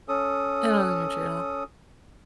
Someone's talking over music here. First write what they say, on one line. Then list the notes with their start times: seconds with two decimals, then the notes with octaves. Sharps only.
I don't like country at all.
0.08 C#4 A4 D#6